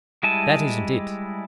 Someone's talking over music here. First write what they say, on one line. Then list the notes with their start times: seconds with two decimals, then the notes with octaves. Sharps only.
That isn't it.
0.23 G3 G#3 E4 D#5 A5